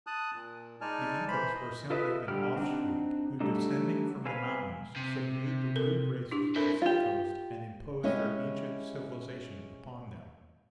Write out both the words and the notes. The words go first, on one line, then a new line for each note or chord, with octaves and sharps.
The Incas were simply an offshoot, who, descending from the mountains, subdued the rude races of the sea-coast, and imposed their ancient civilization upon them.
A5 D#6 F#6
A#2
G#3 D#4 D5 G#5 A5 F6
E3 C5 B5
D#5
F4 A4 B4 D#5 E5
D3 G3 G4 F6
C4 D4 D#4 F#4
F#3 G3 A3 D4 D#4
C4 G#4 B4 F5 G#5
C3
A4 A#4
D4 E4 G4
C4 D4 E4 A4 A#4
F4 G4
G#3 C#4 E4 G4 D#5